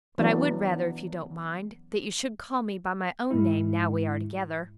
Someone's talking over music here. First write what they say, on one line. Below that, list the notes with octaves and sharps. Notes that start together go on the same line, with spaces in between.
But I would rather, if you don't mind, that you should call me by my own name now we are together.
E3 F#3 B3 D4
G#2 G#3 E4